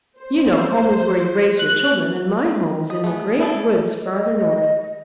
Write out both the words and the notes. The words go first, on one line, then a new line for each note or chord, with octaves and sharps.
You know home is where you raise your children, and my home is in the Great Woods farther north.
C5
F#6
D#5
A3 B3 G#4
E4 A4 D5
D#5